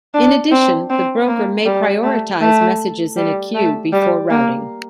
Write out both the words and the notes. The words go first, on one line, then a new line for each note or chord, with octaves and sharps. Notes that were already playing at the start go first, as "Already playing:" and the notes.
In addition, the broker may prioritize messages in a queue before routing.
D4
C4
C4
A#3
G3
A3
A3
G3
A3
G3
A#3